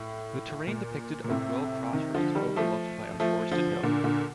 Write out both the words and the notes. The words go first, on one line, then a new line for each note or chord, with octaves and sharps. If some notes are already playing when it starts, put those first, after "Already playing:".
The terrain depicted a rural crossroads overlooked by a forested hill.
Already playing: A2
A#2
A#2
A2 C3
C3 D#3
D3 F3
D#3 G3
F3 A3
F3 A3
D3 F3
A#2 D3
A#2 D3